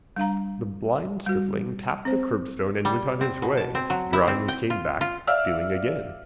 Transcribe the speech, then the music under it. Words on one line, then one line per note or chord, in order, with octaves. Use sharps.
The blind stripling tapped the curbstone and went on his way, drawing his cane back, feeling again.
G3 D4 F5 A#5
G3 F#4
C4 C5
G3
C4
B2
A5
C4
F#3
E4
C4
G5
F4
F4
D5 E5 F5 E6 F6